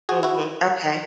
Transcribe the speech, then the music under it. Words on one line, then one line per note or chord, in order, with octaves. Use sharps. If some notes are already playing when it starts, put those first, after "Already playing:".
Mhm, okay.
F#4 G#4
E4 F#4